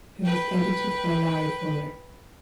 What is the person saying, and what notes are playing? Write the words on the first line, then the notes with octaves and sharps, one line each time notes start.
It was edited by Larry Fuller.
B4 G5